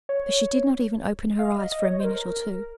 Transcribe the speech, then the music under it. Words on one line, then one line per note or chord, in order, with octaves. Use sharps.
But she did not even open her eyes for a minute or two.
C#5
F5
D#5
D#5
C#5
C5
A#4